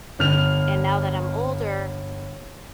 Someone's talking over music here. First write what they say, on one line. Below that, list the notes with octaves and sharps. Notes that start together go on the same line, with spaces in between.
and now that I'm older,
G1 F6 F7